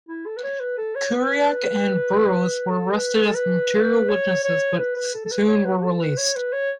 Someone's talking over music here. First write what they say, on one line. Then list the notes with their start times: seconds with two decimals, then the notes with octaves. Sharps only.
Kerouac and Burroughs were arrested as material witnesses but soon were released.
0.09 E4
0.26 A4
0.37 B4
0.44 C#5
0.60 B4
0.78 A4
0.96 C#5
1.13 B4
2.69 A4
2.93 B4
3.16 B4
3.25 A4
3.35 B4
4.09 C#5
4.44 C#5
4.79 B4
4.96 B4
5.14 A4
5.25 A4
5.32 B4
5.48 C#5
5.65 B4
5.76 F#4
5.84 A4
6.00 B4
6.17 C#5
6.36 B4
6.53 C#5